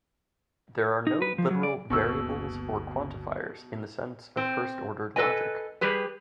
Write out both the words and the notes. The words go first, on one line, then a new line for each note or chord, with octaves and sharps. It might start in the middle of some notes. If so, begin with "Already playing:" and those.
There are no literal variables or quantifiers in the sense of first-order logic.
D#4
B4
F3
F#3
D5
G1 D2 B2 A#3 C#6 E6
C4
A4 B4 D#5 G#5
G3 G4 G#4 B4